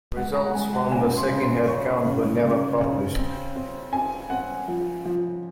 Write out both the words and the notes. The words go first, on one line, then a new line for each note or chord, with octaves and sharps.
Results from the second head count were never published.
G#3 F#5
A#5
F#5
G#3 G#5
F#5
C#3 G#5
C6
C#3
C6
C#4 C#6
C#3
C#3
C#3
C4
C4
C4 G#5
C4 F#5
F3
F3